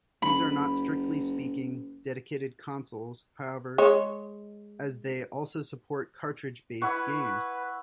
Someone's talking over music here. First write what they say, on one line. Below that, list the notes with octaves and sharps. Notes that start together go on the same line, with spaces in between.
These are not strictly-speaking, dedicated consoles, however, as they also support cartridge-based games.
F#1 B5
G#3 C#5
E4 B4 F#5 C#6